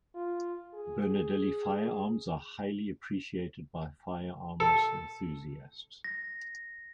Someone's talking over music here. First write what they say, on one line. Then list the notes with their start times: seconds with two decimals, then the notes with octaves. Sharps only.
Bernardelli firearms are highly appreciated by firearms enthusiasts.
0.15 F4
0.74 G#4
4.60 A4
6.04 A#6